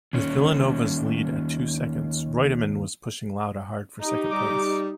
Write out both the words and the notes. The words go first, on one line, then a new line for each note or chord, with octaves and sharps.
With Villeneuve's lead at two seconds, Reutemann was pushing Lauda hard for second place.
D#2 C#4
D#4 G4
G3 D6